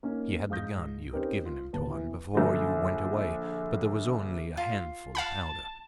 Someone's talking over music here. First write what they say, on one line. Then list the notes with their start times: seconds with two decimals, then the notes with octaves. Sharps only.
He had the gun you had given him, Tuan, before you went away, but there was only a handful of powder.
0.03 A#3 C#4 D#4
0.50 G#2 F5 D#6 G6 A#6
1.12 C4 C#4 D#4 G4 A#4 B4
1.46 F4
1.73 D1 D#2 B3 A5
1.90 B2 E3
2.35 A#1 D3
4.57 F4
5.15 F5 F#5 A5 B5